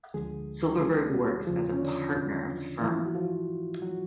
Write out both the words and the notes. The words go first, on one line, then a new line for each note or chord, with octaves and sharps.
Silverberg works as a partner of the firm.
D2 D3 F3 G#3 G#4
G#3 G#4
G3 G4
E2 C#3 F3 F4
C#4
D3 D4
G#2 E3 F3 E4
F#4
F3 F4
F#3 F#4